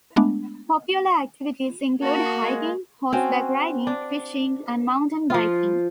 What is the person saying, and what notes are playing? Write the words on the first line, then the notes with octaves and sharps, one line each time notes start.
Popular activities include hiking, horseback riding, fishing and mountain biking.
G#3 A3 B3 D4
A#3 F#4 A5
G#3
C4 C#4 F#4
D4
F3 F4